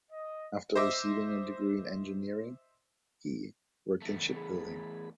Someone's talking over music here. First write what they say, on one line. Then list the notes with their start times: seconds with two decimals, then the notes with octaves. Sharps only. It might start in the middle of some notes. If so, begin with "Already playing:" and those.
After receiving a degree in engineering, he worked in shipbuilding.
0.10 D#5
0.75 C5 D#5 E5 D6 E6
4.02 E2 A3
4.36 G#4 B5